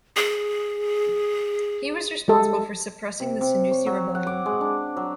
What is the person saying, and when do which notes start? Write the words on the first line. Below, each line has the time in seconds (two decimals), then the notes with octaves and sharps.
He was responsible for suppressing the Senussi rebellion.
0.17 G#4
2.28 G#3 G4 A4
3.20 C3
3.41 C3
3.71 C#5
3.86 F#3
4.15 F#5
4.27 D6
4.46 G#3
4.61 D4
4.97 F#3